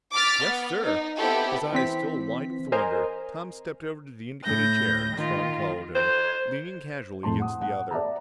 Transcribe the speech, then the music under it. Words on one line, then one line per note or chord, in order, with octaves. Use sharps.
"Yes, sir." His eyes still wide with wonder, Tom stepped over to the indicated chair and Strong followed him, leaning casually against the other.
D6 F6 A6 B6
B3
D#4
B3 C4 E4 G4 A4
E3 C4 B6
A#4 C5 D#5 G#5 A#5
A2 G6 A#6
D#3 F4
C5
F2 A2 A3 A5 C6
F#5 D#6
F#5
D5 E5 A5 A#5